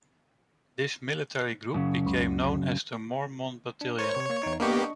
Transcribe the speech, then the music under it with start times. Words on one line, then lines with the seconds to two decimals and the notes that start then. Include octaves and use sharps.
This military group became known as the Mormon Battalion.
1.74 F#2 C#3
2.06 C#2
3.81 D4
3.99 A#4 C5 C#5
4.16 C3
4.30 A#3
4.43 E2 D#4
4.60 A#3 B3 D4 G4 D#5 C#6